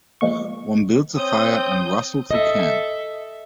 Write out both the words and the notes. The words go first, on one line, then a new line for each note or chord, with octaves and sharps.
One builds a fire and rustles a can.
F3 G#3 A#3 C#6
C4 C#5 D#6 G6
A4 D#5 E5